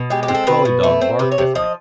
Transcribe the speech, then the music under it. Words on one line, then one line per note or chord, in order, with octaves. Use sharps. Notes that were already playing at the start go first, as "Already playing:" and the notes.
Your collie dog barked at me.
Already playing: B2
G#3 G4
G4
C4
A4
B2 B4
B2
A3
C4
C3 B4
C#5
C3
F3 D#5